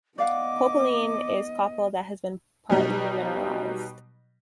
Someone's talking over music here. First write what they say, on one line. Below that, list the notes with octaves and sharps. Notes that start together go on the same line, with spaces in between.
Copaline is copal that has been partly mineralised.
B3 D5 D#5 F5 F#5 D6
B2 F#3 G3 D#4